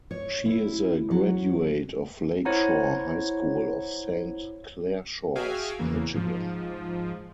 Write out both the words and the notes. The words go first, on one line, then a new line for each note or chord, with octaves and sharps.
She is a graduate of Lake Shore High School of Saint Clair Shores, Michigan.
C#5
E4
F#3
E4 C5 C#5 F#5 A#5
F#4 G#4 E5 F5 G5 G#5
E2 C#3 E3 A#3
G#2 F3